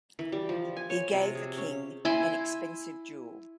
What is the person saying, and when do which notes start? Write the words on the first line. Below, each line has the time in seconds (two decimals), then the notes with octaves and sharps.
He gave the king an expensive jewel.
0.19 E3
0.32 G3
0.49 F3
0.76 G#5
0.90 C#5
1.13 C3
1.35 G#4
1.57 C#4
2.05 E4 G#5 C6